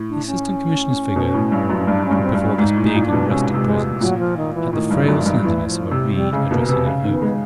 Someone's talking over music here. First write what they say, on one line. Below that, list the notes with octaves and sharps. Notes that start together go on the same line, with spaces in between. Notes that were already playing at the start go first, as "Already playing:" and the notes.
The Assistant Commissioner's figure before this big and rustic Presence had the frail slenderness of a reed addressing an oak.
Already playing: A2
D4
C#4
B2
A2
G2
F#2
C#4
G2 D4
C#4
G2
C4
G2 D4
C#4
G#2 D#4
A2
D#4
A#2
D4
B2
C3 C#4
C3
G#3
A#2 F#3
F3
D#3
E3
A2 D#3
G2
F#2
F#2
G2
F3
A2 E3
F3
C3
G3
C#3 G#3
B2 A#3
C3 B3
C#3
D#3
B3
G#3